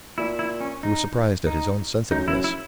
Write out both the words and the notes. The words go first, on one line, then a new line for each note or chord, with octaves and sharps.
He was surprised at his own sensitiveness.
A#2 E4
E4
C#4
D#4
D#4
F#2 D#4
F#2 E4
E4